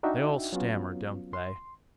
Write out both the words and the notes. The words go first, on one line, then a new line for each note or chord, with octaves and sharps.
"They all stammer, don't they?"
D4 D#4 F#4 E5 G5
F#3 B3 C#4 F4
C6